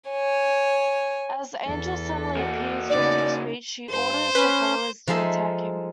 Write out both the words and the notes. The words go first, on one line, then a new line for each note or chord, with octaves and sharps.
As Angel suddenly appears during her speech she orders her followers to attack him.
C#5 G#5
E2 A4
A#3 F#4
C#3 D#4 D5
G2 C5
C#4 B4
F3 G#3 D#4 A4 E5